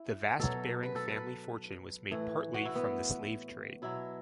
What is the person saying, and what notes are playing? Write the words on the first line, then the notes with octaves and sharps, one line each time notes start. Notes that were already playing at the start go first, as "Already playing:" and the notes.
The vast Baring family fortune was made partly from the slave trade.
Already playing: E4
B2 F#3 A4
B4
A4
B4
A2 E3
F#4
E4
B3
B2 F#3 E4